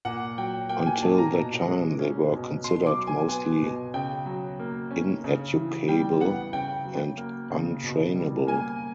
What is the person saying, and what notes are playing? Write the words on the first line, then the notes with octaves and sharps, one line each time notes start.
Until that time they were considered mostly ineducable and un-trainable.
A#2 F#5
F#3 G5
A#3 G5
G#5
A#2 A5
A#5
B2
G#3
C#4
B2
B2 C6
D6
F#3
G#5
B3 G#5
B2
C#3 G5
F#3
A#3
C#4
C#3
E3
G3 G5
B3 F#5
C#3 G5
F#3
A#3
C#3
B2
G3
A#3 G#5